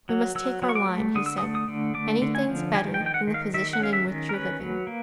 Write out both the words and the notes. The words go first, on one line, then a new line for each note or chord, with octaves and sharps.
We must take our line," he said. "Anything's better than the position in which you're living.
F#3
F#3 E6
F#3
C#6
D6
A3
D3 D#6
E6
D#6
A3
D#6
D3
A3 D6
D3
G#5
F3
D#3 G#5
G5
D#3
G5
F#5
D#3
F5
D#3 E5
F#5
C#4 F5
E5
D#3
A#4
C#4 B4
F#3
A#3